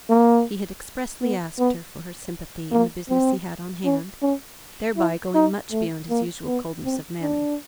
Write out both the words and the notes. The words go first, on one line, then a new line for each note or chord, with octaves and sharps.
He had expressly asked her for her sympathy in the business he had on hand,--thereby going much beyond his usual coldness of manner.
A#3
B3
B3
A#3
C4
C#4
C#4
E4
D#4
A3
A#3
B3
C4
D4